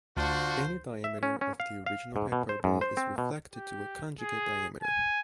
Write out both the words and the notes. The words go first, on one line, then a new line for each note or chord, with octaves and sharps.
Any diameter of the original hyperbola is reflected to a conjugate diameter.
D2 D4 F4 F#4 C5
E5
C#4
C#4
F5
F5
G#2
B2
C5
F#2
C5
C4
B2
G4
G#4
G#5